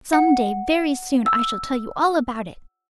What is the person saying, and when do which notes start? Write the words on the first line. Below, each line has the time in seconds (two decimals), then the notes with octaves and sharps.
Some day, very soon, I shall tell you all about it.
0.13 F#5
1.26 E6